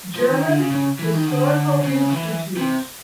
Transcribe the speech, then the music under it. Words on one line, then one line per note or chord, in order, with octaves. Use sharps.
German Historical Institute.
F3
D#3
D3
C#3
C#3
E3
D#3
D3
C#3
E3
C3